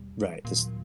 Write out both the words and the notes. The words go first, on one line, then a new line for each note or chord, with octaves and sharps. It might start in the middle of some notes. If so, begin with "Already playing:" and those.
Right, this
Already playing: E2 B2 G3
D#2 A#2 D#3 F#3